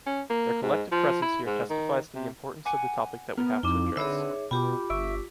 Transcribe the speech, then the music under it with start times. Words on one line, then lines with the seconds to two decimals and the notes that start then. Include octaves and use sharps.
Their collective presence here testifies to the importance of the topic that we have to address.
0.06 C#4
0.30 A#3
0.63 G#2
0.92 F3
1.22 E4
1.46 G#2
1.70 D#3
2.15 C3
2.65 F#5 G#5 D6
3.37 B3 A#4
3.63 F2 C4 D#4 E4 D6
3.97 D3 C4 G#4 B4 C#5 E5
4.51 B2 F4 G4 G5 B5 D6
4.90 G1 E5 C#6 E6 D7